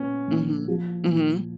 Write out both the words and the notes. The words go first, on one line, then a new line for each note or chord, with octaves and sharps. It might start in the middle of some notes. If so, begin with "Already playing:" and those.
Mhm. Mhm.
Already playing: A#2 B3 C#4
A#1
F3
A#2